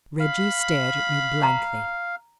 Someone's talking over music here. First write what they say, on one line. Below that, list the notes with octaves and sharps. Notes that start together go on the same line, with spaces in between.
Reggie stared at me blankly.
F5 B5
A#5